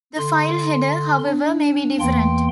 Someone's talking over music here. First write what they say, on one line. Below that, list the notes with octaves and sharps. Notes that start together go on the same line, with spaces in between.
The file header, however, may be different.
D3 C6
D4
E2 E3 A#3 G5 C6